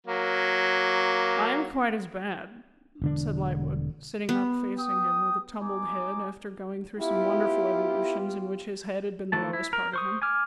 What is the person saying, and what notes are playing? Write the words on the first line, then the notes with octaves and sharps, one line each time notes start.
'I am quite as bad,' said Lightwood, sitting up facing him, with a tumbled head; after going through some wonderful evolutions, in which his head had been the lowest part of him.
F#3 A#3
E1 D3 D4
B3
G5 D#6
D#4 G#5 D6
B3 E4 F4 G4
D#3 E3 A3 A5
E4
A#4
C5 C#6 D#6
G#5 D6 F6